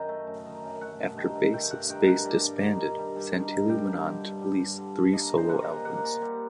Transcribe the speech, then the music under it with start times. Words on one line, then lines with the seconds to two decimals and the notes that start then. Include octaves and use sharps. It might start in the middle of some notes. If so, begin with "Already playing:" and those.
After Bass is Base disbanded, Santilli went on to a release three solo albums.
Already playing: F#2 D#3 D#5 G5
0.09 A3
0.27 F#2
0.46 D#3
0.63 F#2
0.81 A3 F#5
1.00 G2
1.17 D#3 G5
1.35 G2
1.53 A3 G5
1.71 G2 F#5
1.89 D#3 G5
2.07 G2 F#5
2.25 G3 D5
2.43 G2
2.61 D#3
2.79 G2
2.98 G3
3.16 G2
3.33 D#3
3.52 G2
3.69 G3 G5
3.88 G2
4.06 D3
4.24 G2
4.41 G3
4.59 G2
4.78 D3
4.96 G2
5.13 A#3 D#5
5.32 A#2
5.37 C5
5.49 G3 F#5
5.62 D#5
5.67 A#2
5.85 A#3 F#5
6.04 A#2
6.22 G3